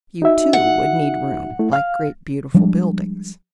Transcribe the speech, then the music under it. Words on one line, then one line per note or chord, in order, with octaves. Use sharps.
You two would need room--like great beautiful buildings.
D#4 F#4 E5
F#5
A3 E4
F5 F6
F3 G3 G#3 D4